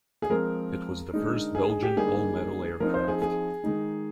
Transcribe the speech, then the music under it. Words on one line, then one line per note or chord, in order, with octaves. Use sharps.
It was the first Belgian all-metal aircraft.
G#4
F3 G#3 C4 A#4
D3 G#3 D#4
G#4
G#4
G4
D3 G3 A#3 D#4 G#4
F3 C4 D#4 A#4
C5
G#4
G#4
D#3 G#3 D#4